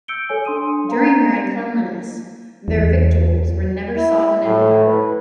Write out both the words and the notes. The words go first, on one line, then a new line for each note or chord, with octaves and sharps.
During their uncleanliness, their victuals were never sodden in water.
E6 G6 C#7 D7 G7
A4 C#5 G#5
D4 C6 D#6 D#7
F5 A#5
E2
E4
A2
B4